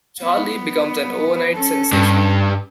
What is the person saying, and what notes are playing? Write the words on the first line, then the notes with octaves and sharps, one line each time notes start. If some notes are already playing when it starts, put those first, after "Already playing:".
Charlie becomes an overnight sensation.
B3
C#4 A4
G2